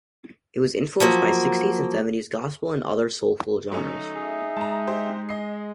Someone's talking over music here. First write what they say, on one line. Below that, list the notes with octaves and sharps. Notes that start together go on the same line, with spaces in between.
It was influenced by sixties and seventies gospel and other soulful genres.
F3 F#3 A#3
F#3 A3 C#4 D#4
G#4 E5
G#3 A5 A#5
G4 C5
D#5 C7